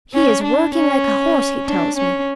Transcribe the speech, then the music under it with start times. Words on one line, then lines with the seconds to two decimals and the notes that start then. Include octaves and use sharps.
He is working like a horse, he tells me.
0.14 C#4
0.44 D4
0.75 C#4
1.66 D4
1.97 C#4